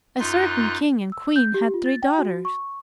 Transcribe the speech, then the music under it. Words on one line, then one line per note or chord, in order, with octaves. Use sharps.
A certain king and queen had three daughters.
F#2 D#4 F4 C6 F#6
E6
G6
G4
F4
A6
G5
F#4
C#6